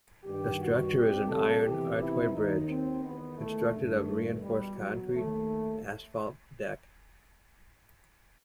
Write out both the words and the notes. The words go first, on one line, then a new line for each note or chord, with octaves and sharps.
The structure is an iron, archway bridge, constructed of reinforced concrete, asphalt deck.
G2 D#3 G4
F#4
C2 B2 G4
A4
E2 C3 E3 G4
E4
D#2 D#3 D#4
C4
E2 D#3 B3
A3
G2 D#3 A3
E2 B2 G3
F#3
D#2 D#3 A3